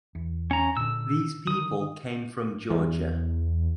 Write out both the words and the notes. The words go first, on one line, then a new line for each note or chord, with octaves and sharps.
These people came from Georgia.
E2
C#4 A#5
A#2 D3 E6
D3 D#3 D#6
E2